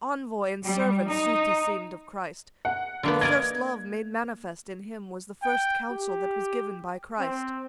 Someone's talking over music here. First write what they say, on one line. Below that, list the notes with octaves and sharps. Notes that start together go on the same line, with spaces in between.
Envoy and servant sooth he seemed of Christ, For the first love made manifest in him Was the first counsel that was given by Christ.
G3
D#4
F#5
D3 A#3 B3
A#4 D5 D#5 G#6
G5
G4
C4